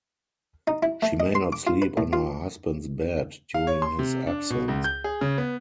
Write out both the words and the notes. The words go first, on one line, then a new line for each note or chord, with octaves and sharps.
She may not sleep on her husband's bed during his absence.
D#4
E4
A3
D#5
C6
D6
F4
B4
A2
F4
F5
C#5
C6
C3
D4
B2
C#2
G6
G#4
C#3
B3